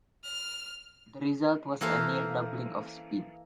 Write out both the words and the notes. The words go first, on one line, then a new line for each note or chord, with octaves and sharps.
The result was a near-doubling of speed.
F6
E3 A#3 A4 C5 F5